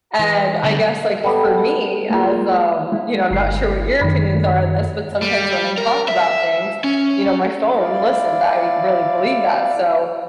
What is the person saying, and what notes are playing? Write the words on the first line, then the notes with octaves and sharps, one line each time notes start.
And I guess, like, for me as, um, you know I'm not sure what your opinions are on this, but sometimes when I talk about things, you know, my phone listens. I really believe that, so,
E3
D3 G3
G3 B3 A4
G#3 A#3 F4
G#3 E4
G1 C7
F#2 D#3 B5
G3
A#4
E5
C#4
E4 D5 F5